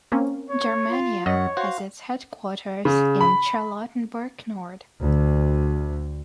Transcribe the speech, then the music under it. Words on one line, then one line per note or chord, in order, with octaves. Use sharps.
Germania has its headquarters in Charlottenburg-Nord.
A#3 C4 C#4
C#5
F4
F#2 C#5 D#5 F#5
F#4 C5 F5
C#3
B5
D2